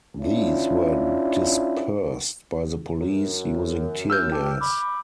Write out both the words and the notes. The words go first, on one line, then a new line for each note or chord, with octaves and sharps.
These were dispersed by the police, using teargas.
C#4 D4 E4 F4
F#2
E6 F6 G6
G4 A4
B5 D6